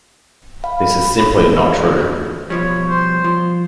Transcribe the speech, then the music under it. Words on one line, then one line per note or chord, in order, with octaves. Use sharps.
This is simply not true.
F5 B5
B2 F3 G3 C#5
C5
F3